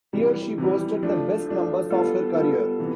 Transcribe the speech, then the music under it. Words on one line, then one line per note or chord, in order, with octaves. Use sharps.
Here she posted the best numbers of her career.
C3 E3 G3
C3 E3 G3
F3 A3 D4
F3 A3 D4
G3 B3 F4 A4
G3 B3 F4 A4
C3 E3 B3